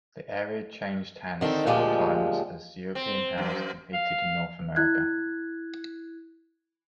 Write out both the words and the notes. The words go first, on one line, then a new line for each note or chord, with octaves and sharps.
The area changed hands several times as European powers competed in North America.
D3 D#3 C4 D#4 A4
D2 A#2 F3 G#3 G4
C4
F#2
F5
E4 F#6 G#6